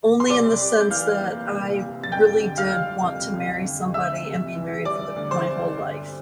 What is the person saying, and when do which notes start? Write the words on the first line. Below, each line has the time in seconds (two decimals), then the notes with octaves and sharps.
only in the sense that I really did want to marry somebody and be married for the my whole life
0.20 C6
0.30 C2 D5 D6
0.60 C3
0.81 G6
0.91 E3 F5 F6
1.21 A#3
1.51 C2
1.82 C3
2.04 A6
2.12 F2 G5 G6
2.43 D3
2.57 F5 F6
2.73 G3
3.03 F2
3.34 F2
3.64 D3
3.94 D2 E5 E6
4.25 C3
4.55 E3
4.85 G3 D5 D6
5.16 D2
5.31 C5 C6
5.46 C3
5.77 G1